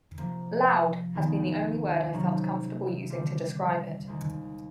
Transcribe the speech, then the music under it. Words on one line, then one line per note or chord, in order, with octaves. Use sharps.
'Loud' has been the only word I've felt comfortable using to describe it.
C3 F3 A#3
D#2 D#3 G#3 B3
C#2 C3 D#3 F#3 A#3
D3 G3 C4 F4
D#2 D#3 G#3 C4